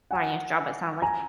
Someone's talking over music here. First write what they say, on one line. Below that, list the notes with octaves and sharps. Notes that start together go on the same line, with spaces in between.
finance job, it sounded like,
F#5 G#5
G#5 A#5